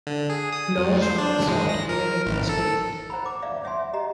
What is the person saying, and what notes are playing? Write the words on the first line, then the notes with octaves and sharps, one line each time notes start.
Laws on assault vary by state.
D3
G#4
D#6
F2
C5
D4
G#3
A#6
A#4
A1
A4
C5 F#5 A#5 B5
D6
D5 E5 F5
C#5 E5 F#5 G#5 C6
G4 D#5 A#5